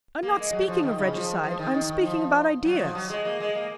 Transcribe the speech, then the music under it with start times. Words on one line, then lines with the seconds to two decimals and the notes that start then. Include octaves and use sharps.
"I am not speaking of regicide, I am speaking about ideas."
0.23 A#3
0.37 G#3
0.52 F#3
0.68 F3
0.83 D#3
0.98 C#3
1.13 F3
1.43 F3
1.59 D#3
1.74 D#3
2.04 F3
2.65 F#3
2.80 F3
2.95 F#3
3.10 G#3
3.25 A#3
3.40 G#3
3.55 A#3